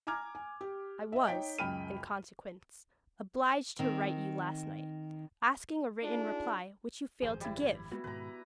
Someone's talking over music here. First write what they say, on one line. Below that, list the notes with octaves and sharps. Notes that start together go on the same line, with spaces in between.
I was, in consequence, obliged to write you last night, asking a written reply, which you failed to give!
G#5 A#5 D6 F6 G#6
G#5
G4
D#5 E5
D#4 C#5 G5 B6 D7
C#2 F#2 G5 B5 F6 D#7
D#3 C4
D4 D#4 F4 G#4
G#1 F#2 F3 G#4 C5
G3 E4
G#3 B3 F#4
G#2 B2 D#3 B4 A#5